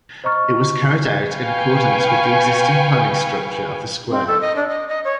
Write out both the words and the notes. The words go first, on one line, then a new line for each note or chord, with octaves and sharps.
It was carried out in accordance with the existing planning structure of the square.
C5 D#5 A#5 C#6 F6 A6
B4 F5 G5 G#5 C#6
C4
A4
D#5
D4
D#5
D#5
C#5